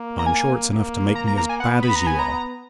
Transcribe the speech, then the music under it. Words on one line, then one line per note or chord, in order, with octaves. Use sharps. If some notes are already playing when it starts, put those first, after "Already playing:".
I'm sure it's enough to make me as bad as you are.
Already playing: A#3
A#5
G#5
A#3
A#5
A#5
A#5
G#5
B3 F#5
B5
A#5
G#5
A#5